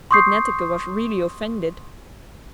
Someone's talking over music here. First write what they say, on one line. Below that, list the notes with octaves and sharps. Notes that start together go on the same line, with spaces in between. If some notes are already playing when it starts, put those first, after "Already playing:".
But Netteke was really offended.
C6 C#6 D#6 G6 C7